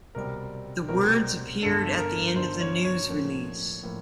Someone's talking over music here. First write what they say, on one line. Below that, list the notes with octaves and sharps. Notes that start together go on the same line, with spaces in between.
The words appeared at the end of the news release.
C2 B2 G3 C4 A#4
C2 B2 G3 C4 A#4
G1 G2 D3 A4
A#4
G1 G2 D3 C5
C#5
C#5
A2 F3 A#3 C#4
A2 F3 A#3